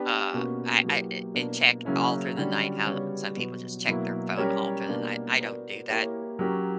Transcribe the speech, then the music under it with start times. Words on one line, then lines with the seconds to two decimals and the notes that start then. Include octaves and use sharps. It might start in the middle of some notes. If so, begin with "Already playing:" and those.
uh, I I, eh, and check all through the night, how some people just check their phone all through the night, I don't do that,
Already playing: B3 D4 G4 B4
0.33 B2 A#3 C#4 F#4
0.84 F#3 A#3 E4 G4 B4
1.35 B2 A#3 D4
1.85 C#3 F#3 A#3 C#4 E4
2.35 D3 G3 C#4 F#4
2.86 C#3 G3 B3 F#4 C#5
3.37 B2 F#3 B3 F#4 B4
3.87 B2 F#3 A#3 E4
4.37 G3 C#4 G4 A#4 C#5
4.88 B2 A#3 D4 G4 B4
5.39 B3 F#4 A#4 D5
5.89 A#3 E4 G4 A#4 C#5
6.39 F#3 C#4 G4 A#4